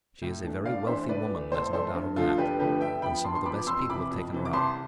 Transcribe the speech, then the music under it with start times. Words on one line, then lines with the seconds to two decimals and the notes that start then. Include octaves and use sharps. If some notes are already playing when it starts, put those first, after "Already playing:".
She is a very wealthy woman, there's no doubt of that, and some of the best people have taken her up.
0.22 A2
0.44 E3 A3 D4
0.65 A2 D5 F5
0.87 E3 A3 D4 C5 E5
1.09 A2 B4 D5
1.30 E3 A3
1.52 A2 A4 C5
1.73 E3 A3 A4 C5
1.94 G2
2.16 D3 F3 A3 F4 A4
2.38 G2 G4 B4
2.60 D3 F3 A3 G4 B4
2.81 G2 E5 G5
3.02 F3 B3 G5 B5
3.24 G2 A5 C6
3.35 C6
3.45 F3 B3 B5 D6
3.67 F2 C6 E6
3.90 C3 E3 B5 D6
4.11 F2
4.32 C3 E3
4.45 D6
4.53 C2 A5 C6